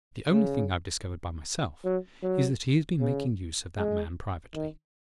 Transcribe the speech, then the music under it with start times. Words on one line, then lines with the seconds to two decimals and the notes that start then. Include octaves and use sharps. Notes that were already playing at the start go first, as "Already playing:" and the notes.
The only thing I've discovered by myself is that he has been making use of that man privately.
0.29 C#3
1.85 F#3
2.23 F#3
3.00 C#3
3.78 G#3
4.55 D#3